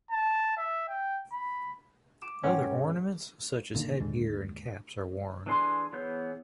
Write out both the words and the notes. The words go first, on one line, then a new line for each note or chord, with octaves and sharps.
Other ornaments such as headgear and caps are worn.
A5
E5
G5
B5
D6 E7
G#2 C#4 F#5 G5
G#1 A#2 D3 D#3
D#2 G#2 D3
E3 A3 D4 G#4 C6
E3 B3 G#4 C#5 G6